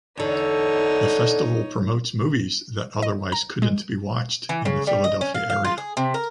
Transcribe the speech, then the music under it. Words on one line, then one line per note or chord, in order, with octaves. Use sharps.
The festival promotes movies that otherwise couldn’t be watched in the Philadelphia area.
E2 D3 D#4 C#5
D#5
A#5
G#3
E3
C#3
G3
D#5
C#4
F5
F5
F4
G#4
C3
A#4